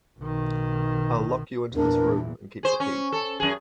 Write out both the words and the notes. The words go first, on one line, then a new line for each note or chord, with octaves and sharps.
I’ll lock you into this room and keep the key.
B1 D#3
E2 A#2 E3 D4 A#4
G#4 C5
C#4
A4
F#2 G#4